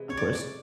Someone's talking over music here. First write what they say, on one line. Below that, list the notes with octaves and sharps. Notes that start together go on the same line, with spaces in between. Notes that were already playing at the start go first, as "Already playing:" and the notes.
Of course.
Already playing: C3 E3 G#3
C#5
D5
D5